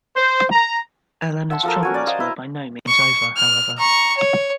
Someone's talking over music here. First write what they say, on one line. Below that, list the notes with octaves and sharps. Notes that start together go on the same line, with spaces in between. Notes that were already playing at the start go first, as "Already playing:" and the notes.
Eleanor's troubles were by no means over, however.
C5
A#5
E5 F#5 A5 C6
F3 A4 A#4
C#4 F#4 G#5
D5
C5 D#5 F5
E4
C#6
F6
A#5 C#6
C#5